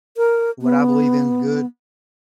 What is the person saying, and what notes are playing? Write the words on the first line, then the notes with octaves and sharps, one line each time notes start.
What I believe in is good
A#4
B3